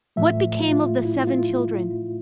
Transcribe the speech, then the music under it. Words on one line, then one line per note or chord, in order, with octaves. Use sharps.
What became of the seven children?
A2 F3 A3 E5
F4
E4
F4